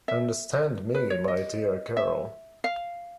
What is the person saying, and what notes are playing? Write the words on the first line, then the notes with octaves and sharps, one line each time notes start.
Understand me, my dear girl.
E5
B4
C#5
D#5
E5
F5